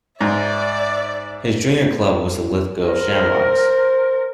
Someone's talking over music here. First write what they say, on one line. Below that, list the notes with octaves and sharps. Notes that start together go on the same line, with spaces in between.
His junior club was the Lithgow Shamrocks.
G#2 D5 E5
A#4 C5